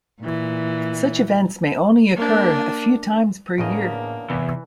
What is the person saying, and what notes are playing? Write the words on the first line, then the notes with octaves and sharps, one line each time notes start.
Such events may only occur a few times per year.
A#2 E3
A#3 D4
E2 A2 C#3 A#3 D4 D#5
E2 C3 E3